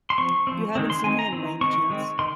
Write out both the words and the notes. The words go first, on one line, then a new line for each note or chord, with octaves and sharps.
You haven't seen him, by any chance?
C6
F3 C4 C#6
F3 C4
D#3 G#3 C4
C6
D#3 G#3 C4 G#5
A#5
D#3 G#3 C4
D#3 G#3 C4 C#6
D#3 G#3 C4
D#3 C6